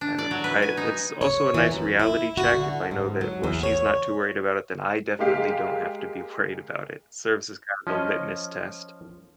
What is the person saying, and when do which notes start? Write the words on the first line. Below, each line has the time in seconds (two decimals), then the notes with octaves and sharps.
I don't know, I it's also a nice reality check if I know that, "Well, she's not too worried about it, then I definitely don't have to be worried about it." Serves as kind of a litmus test.
0.01 D4
0.18 D5
0.31 F#3
0.44 B4
0.62 G#5
0.77 D#4
1.21 C#5
1.54 E3
1.71 F#2
1.99 E4
2.37 F#4
2.51 D3
2.91 G#2
3.21 F#3
3.44 E2
3.63 C#5
5.19 G#3 A#3 G4 F5
7.87 F3 C#4 D#5